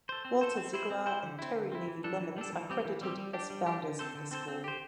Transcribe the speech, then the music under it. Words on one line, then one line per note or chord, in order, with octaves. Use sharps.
Walter Ziglar and Terry Leavey Lemons are credited as founders of the school.
A4 C5
C4
A4 C5
C4
E4 C5
C4
E4 C5
D3
C4 E4
D3
C4 E4
E3
G3 D4 A4
E3
G3 D4 A4
E3
G3 C4 G4
E3
G3 C4 G4
G3
D4 G4
G3
D4 G4
D3
C4 A4 C5
D3
C4 A4 C5
C4
G4 C5